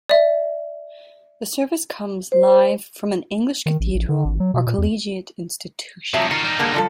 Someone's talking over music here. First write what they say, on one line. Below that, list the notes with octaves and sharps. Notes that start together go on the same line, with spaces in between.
The service comes live from an English cathedral or collegiate institution.
D5 E5
C5
D#3
A1
A1
D3
G#1
F#3
B2
A#2
E2
C3 F3 F#3 E5 A5
D#3 F4 F#4
G3 D#4
D3 G#3 A#3
D3 F3 A4